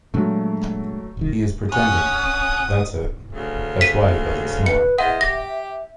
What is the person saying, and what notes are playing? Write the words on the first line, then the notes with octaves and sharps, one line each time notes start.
He is pretending. That’s it. That’s why he doesn’t snore.
A#2 F#3 G#3 A3 D4
D1 C2 D#3
C#4 F#5 D#6
D2 C#3
B6 D#7
B4 C#7
E2 C5 D#5 E5 F#5
G4 A#6